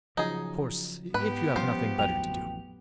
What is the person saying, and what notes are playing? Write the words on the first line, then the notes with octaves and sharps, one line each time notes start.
Of course, if you have nothing better to do.'
C#3 F3 F#3 D#4 G#4
G#2 B3 G4 B4
F3 G3 C#4 F4 C5
A1 F2 F#3 G5 F7